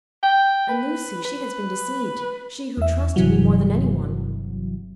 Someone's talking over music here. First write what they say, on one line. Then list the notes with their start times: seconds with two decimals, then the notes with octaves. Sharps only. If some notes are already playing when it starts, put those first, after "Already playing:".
And Lucy--she has been deceived; she who trusted me more than any one.
0.23 G5
0.69 B4
1.25 B4
2.77 E2 E5
3.16 G1 G2 C3 E3 F#3